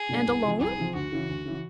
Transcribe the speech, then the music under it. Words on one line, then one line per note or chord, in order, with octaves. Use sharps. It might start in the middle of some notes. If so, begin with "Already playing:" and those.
"And alone?"
Already playing: G#4
B2 F#3 A3 D4
C2
C3 F3
C2 G#4
C3 F3
D2 F#4
C#3 E3
D2
C#3 E3